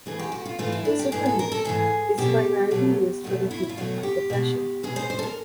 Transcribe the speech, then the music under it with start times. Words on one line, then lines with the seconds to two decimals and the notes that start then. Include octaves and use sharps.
Desipramine is primarily used for the treatment of depression.
0.06 G#2 E3 A3 G#4
0.19 G4
0.32 F#4
0.46 F4
0.58 G#2 E3 A3 F4
0.72 E4
0.85 D4
0.99 G4
1.12 G#2 E3 A3 G#4
1.26 A4
1.39 A#4
1.52 A4
1.65 G#2 E3 A3 G#4
2.18 B2 F#3 A3 G4
2.71 B2 F#3 A3
3.24 B2 F#3 A3 F#4
3.51 E4
3.63 E4
3.69 F4
3.77 B2 F#3 A3 F#4
4.03 G4
4.30 B2 G#3
4.83 B2 G#3 G#4
4.96 C5
5.10 C5
5.19 A4
5.23 A#4